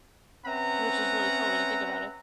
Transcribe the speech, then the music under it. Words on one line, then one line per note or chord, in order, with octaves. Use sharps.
Which is really cool when you think about it.
C4 C#4 B4 E5 F#5 A#5